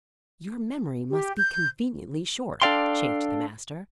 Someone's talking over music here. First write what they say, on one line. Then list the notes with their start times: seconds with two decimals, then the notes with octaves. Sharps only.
"Your memory must be conveniently short," chafed the master.
1.10 G4
1.37 G6
2.62 D4 A4 D5 F5 G5 C6